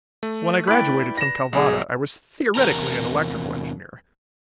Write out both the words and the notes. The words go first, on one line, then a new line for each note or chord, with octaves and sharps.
When I graduated from Calvada I was theoretically an electrical engineer.
A3
E4 B4 D5 G5
A#6 E7
B1 G#4
E2 C3 A#4 A5 A#5